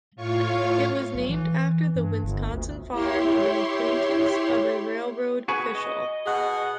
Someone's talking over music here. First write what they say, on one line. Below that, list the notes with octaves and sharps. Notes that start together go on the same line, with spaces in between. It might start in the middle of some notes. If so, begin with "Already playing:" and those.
It was named after the Wisconsin farm of an acquaintance of a railroad official.
A2 F4 C#5 F5 C#6
B1
E3
G2
G1
D2
E4 G4 C#5 C6
F#4 G#4 B4
D#5
B2 G#4 F#5